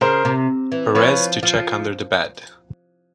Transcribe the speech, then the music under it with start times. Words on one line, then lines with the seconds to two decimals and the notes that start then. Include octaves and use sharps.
Perez to check under the bed.
0.01 C#3 A#4 C5
0.25 C3
0.72 E3
0.95 F3 B4 C#5
1.43 F3